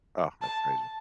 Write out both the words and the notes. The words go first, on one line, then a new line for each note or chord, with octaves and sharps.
Ah, that's crazy.
A5